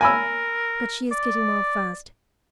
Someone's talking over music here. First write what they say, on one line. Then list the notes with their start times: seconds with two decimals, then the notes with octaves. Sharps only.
But she is getting well fast.
0.01 A#4 G#5 B5 E6
1.12 D5